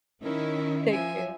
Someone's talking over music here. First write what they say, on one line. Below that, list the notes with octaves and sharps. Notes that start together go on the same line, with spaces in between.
Take care.
D#3 C#4 E4 A#4
F3 E5 G#5